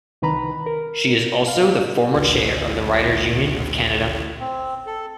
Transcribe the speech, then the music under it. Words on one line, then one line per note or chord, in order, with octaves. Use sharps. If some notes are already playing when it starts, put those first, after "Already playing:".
She is also the former chair of the Writers' Union of Canada.
C2 D#3 B4 A#5 B5
A#4
F5
A1 D2
C4
A4